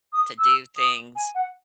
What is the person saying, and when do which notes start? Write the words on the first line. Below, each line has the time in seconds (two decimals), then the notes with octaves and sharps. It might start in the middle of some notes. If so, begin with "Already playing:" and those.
to do things,
0.12 D#6
0.38 E6
0.76 D#6
1.15 G#5
1.34 F#5